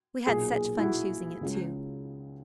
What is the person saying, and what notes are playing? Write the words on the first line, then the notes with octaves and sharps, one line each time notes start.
We had such fun choosing it, too.
B1 A#2 A#3 G#4
G#4
E4
F#4
C#2 C#3 G#3